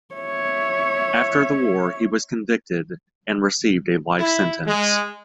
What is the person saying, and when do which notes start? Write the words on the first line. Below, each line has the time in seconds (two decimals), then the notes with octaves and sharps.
After the war he was convicted, and received a life sentence.
0.15 C#5 E5
4.19 E4
4.67 G#3